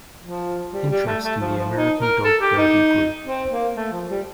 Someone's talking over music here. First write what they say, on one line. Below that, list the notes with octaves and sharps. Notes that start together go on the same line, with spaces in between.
Interest in the American Dog Derby grew.
F3
G3
G3
A3
A3
F3
F3
D#4
A#4
A4
G4
D#4
C4
A#3
A3
F3
G3